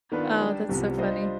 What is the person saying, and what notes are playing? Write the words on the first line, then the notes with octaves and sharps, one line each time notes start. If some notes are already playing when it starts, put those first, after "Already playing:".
Oh, that's so funny.
D#3 B3 D4 F4 B4
G3 D4 G4
C2 C3 F3 B3
G3 D4 F4 C5 D#5